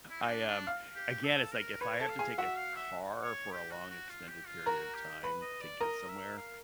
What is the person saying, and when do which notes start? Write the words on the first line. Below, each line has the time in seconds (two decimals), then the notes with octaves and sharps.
I, um Again, it's like if I have to take a car for a long, extended period of time to get somewhere,
0.10 E4
0.22 D#4
0.28 D4
0.48 D4
0.67 F5 F6
0.95 G4
1.24 A4
1.52 A#4
1.81 B4 C#5 B5
2.00 A4 A5
2.09 F5
2.19 G#4 G#5
2.38 F#4 E5 F#5
2.57 F5
2.76 E5
3.23 C#5
3.52 G4
3.71 F#4
3.90 F#4
4.09 F4
4.29 G4
4.47 F4
4.66 F#4 A#4 A#5
4.95 G4
5.23 B4 B5
5.42 D#5
5.61 D5
5.81 A#4 D#5 A#5
6.09 E5
6.38 F5